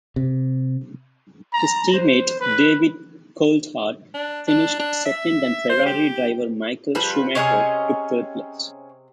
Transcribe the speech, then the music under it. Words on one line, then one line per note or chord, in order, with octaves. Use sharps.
His teammate David Coulthard finished second and Ferrari driver Michael Schumacher took third place.
C3
A#5
C5
B4
D4
D4
D4
E5
C5
G4
F3 G3 B4
C3 C#4 G#4 C#5 D#5